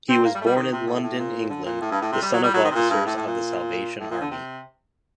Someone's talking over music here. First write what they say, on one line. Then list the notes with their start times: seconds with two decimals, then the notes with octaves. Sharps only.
He was born in London, England, the son of officers of The Salvation Army.
0.09 C4
0.25 A#3
0.35 G3
0.41 A3
0.46 G3
0.56 D#3
0.72 C3
0.87 A2
1.03 A2
1.19 A#2
1.50 D3
1.65 A#2
1.81 A2
1.91 G2
2.01 A2
2.12 C3
2.23 G3
2.33 F#3
2.43 G3
2.54 F#3
2.64 D#3
2.70 C3
2.75 A#2
2.90 G2
3.06 A2
3.16 A2
3.26 A#2
4.00 A2
4.11 A#2
4.21 D3
4.31 C3